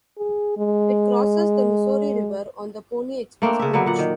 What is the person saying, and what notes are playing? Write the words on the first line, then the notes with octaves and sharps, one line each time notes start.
It crosses the Missouri River on the Pony Express Bridge.
G#4
G#3
A3 A#3 C4 D4
C#3 E5
D3 F#3 A#3 B3
A#2 F#5
D#3